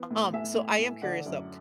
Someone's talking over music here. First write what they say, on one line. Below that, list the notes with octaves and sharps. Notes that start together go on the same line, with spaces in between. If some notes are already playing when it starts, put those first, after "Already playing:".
Um, so I am curious though,
Already playing: E3 B3
A2
A3 E5 G#5
A2
A2
D3 D5 F#5
F#2